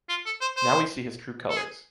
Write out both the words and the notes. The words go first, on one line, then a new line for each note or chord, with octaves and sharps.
Now we see his true colors.
F4
A4
C5
C5
A4
G#4